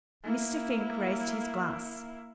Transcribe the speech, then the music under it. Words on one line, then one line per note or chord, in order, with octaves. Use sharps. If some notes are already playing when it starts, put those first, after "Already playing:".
Mr. Fink raised his glass.
A#3 E4